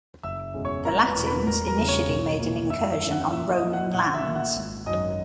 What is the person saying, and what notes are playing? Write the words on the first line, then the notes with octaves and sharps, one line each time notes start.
The Latins initially made an incursion on Roman lands.
F#1 E5 E6
E2 B2 G#3 C#4
C#5 C#6
E1 A#4 A#5
B4 B5
E2 B2
B4 B5
E1 A#4 A#5
A#4 A#5
E2 C#3 E3
C#5 C#6
B1
A#2 A#3 E4
F#2 E5 E6
E5 E6
D#3 F#3 C#4 E4
F#5 F#6
A#2 E5 E6
D#5 D#6
A#3 E4
F#5 F#6
A#1 F#5 F#6
E5 E6
A#2 A#3
F#5 F#6
G#1
F#2 D#3 F#3 D#5 D#6